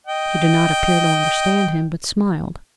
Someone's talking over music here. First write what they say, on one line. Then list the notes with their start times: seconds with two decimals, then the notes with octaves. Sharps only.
She did not appear to understand him, but smiled.
0.07 D#5 G5